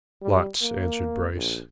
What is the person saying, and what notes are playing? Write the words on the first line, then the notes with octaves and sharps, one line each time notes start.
"Lots!" answered Bryce.
G3
A#3
A#1